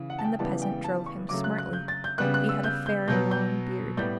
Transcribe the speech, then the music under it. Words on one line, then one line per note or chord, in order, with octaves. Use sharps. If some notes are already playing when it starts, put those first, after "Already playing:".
And the peasant drove him smartly, he had a fair, long beard.
Already playing: C#3 E3
F#5
A5
G5
C#3 E3 G3 B3 A5
G5
A5
C#6
C#3 F#3 A3 D6
F#6
F#6
G6
A6
G6
C#3 G3 B3 F#6
F#6
E6
G6
G6
B2 F#3 B3 G6
G6
A2 G3 B3 G6